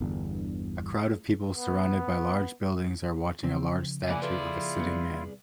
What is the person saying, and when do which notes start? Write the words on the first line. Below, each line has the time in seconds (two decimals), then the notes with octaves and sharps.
A crowd of people surrounded by large buildings are watching a large statue of a sitting man.
0.01 G1 E2 G2 D3
1.53 B3
3.43 C#3 F3 C4
4.08 F#2 A#3 E4 G#4 D5 F#5 G#5
4.22 E4 F4 A4 B4
4.77 C2 B3